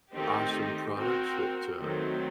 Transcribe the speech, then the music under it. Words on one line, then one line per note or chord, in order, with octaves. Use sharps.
awesome products that, uh,
D#3 A3 C4 D#4 G4
C4 F#4 A#4
D#3 F#3 A3 C4